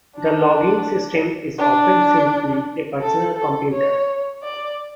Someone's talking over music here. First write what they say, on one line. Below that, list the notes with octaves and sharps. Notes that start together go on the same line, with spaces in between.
The logging system is often simply a personal computer.
D4
D4
A4
A4
C#5
D5